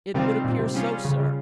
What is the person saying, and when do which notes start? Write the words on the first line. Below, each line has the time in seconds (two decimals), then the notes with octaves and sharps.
"It would appear so, sir."
0.14 C3 D#3 G3 C4 F4
0.44 A#2
0.59 C3
0.74 G3 C#4 F4 G#4
1.05 C#3
1.20 C#3